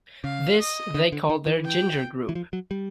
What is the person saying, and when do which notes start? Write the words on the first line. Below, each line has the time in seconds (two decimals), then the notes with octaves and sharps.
This they called their Ginger Group.
0.24 C#3 F5
0.60 D#5
0.94 D3
1.12 D3
1.29 D#3
1.47 E3
1.65 G5
2.29 E3
2.35 F3
2.53 F#3
2.71 G3